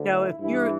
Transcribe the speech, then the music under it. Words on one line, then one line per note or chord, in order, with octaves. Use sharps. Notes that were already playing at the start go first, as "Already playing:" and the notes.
You know, if you're
Already playing: D2 D3
E4
G2 E3 E4